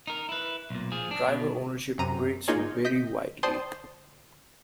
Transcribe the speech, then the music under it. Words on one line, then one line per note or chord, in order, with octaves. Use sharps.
Driver-ownership rates vary widely.
D#4 A#4
E4 B4
B1 A#2
F3 G#4
D4
B2
F#2 C3 A#5 D#7
A#3 D#4 F4 G#4 C#5
D#5 G6 B6
C5 D5 G5 A5 C6 D#6